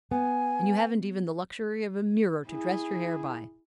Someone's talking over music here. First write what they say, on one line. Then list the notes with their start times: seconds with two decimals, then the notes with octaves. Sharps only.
"And you haven't even the luxury of a mirror to dress your hair by!"
0.11 B3 G#5
2.48 E4 G#4